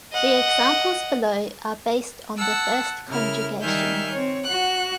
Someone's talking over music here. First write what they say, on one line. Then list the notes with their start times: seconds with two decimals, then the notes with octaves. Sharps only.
The examples below are based on the first conjugation.
0.13 D#5 F#5
2.38 F#5 A5 E6
3.09 C#3 E4 A#4 F6
3.62 D#3 G3 E5 G#5 F6 G6
4.12 C4 C#5
4.45 F#4 F#5 F#6